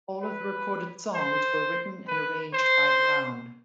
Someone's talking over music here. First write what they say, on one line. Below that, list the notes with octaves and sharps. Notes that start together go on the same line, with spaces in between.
All of the recorded songs were written and arranged by Brown.
B4
C5
B4
C5